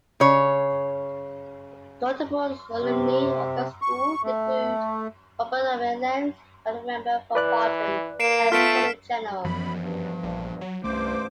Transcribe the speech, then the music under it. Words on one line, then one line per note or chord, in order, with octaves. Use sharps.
Notable alumni of the school include Robert McLelland, Federal Member for Barton and Attorney-General.
C#3 C#5
C3
C#6
A3
E3 B4 D5 F#6
A#3 C7 D7 E7
A3 B3 F4 F6 B6 D7
F#2 E3 F3 B3 B5
G2
A#1
F#3
C2 G2 A3 C#4 C5 D6